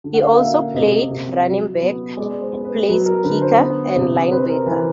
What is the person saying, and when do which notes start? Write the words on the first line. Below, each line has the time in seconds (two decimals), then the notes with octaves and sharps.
He also played running back, placekicker, and linebacker.
0.04 D3
0.14 F#5
0.22 F5
0.39 A#3 E5
0.74 C3 D#5
1.10 C3
1.47 F#3
1.82 B3
2.17 G#3 D5
2.41 C5
2.53 B3
2.64 B4
2.88 F#3 B4
3.06 A#4
3.24 D3 B4
3.42 C5
3.60 B3
3.96 C3
4.31 C4 B4
4.49 A#4
4.66 E3 B4